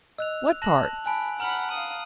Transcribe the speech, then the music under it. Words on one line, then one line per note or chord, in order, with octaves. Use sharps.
"What part?"
D#5 E6 F#6 F7
A5 F#6 A#6 F#7
G#5 A5 B5 F#6 D7
F#5 A#5 B5 F6 F#7
F5 D#6